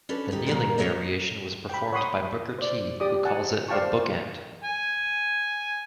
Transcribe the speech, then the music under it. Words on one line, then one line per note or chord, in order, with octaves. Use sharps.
The kneeling variation was performed by Booker T who calls it the "Book End".
C#4 D4 A4 B4
D#2 D#4 G4
A#2 D3 E3 A#3
A#3 C#4 D4 A4 C#5 D#5
G5 B5
C#5 F#5 B5 C6 D#6
C5 D5
G4 D5 D6 D#6
F#5 G#5 A5
C5 D5 F5 G5 A5 C#6
G#5